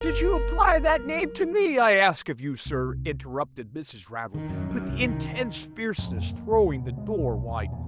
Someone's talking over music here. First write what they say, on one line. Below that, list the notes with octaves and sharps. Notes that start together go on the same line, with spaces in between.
'Did you apply that name to me, I ask of you, sir?' interrupted Mrs. Raddle, with intense fierceness, throwing the door wide open.
F#1 A#4
F#3 G3
C2
D#3
F#2
F#2
C2
D#3
F2
A#3
C#2
B2
G#3
B1
E2
A#2